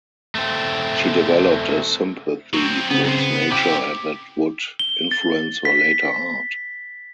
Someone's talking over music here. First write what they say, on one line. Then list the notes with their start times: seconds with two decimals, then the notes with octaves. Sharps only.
She developed a sympathy with nature that would influence her later art.
0.35 A3 C4
2.54 F#3 C4
2.90 C#3 B3 C4
3.05 F#2 C5
3.19 B3
3.52 E4 G4 D6
4.79 G7
5.11 A6
5.65 B6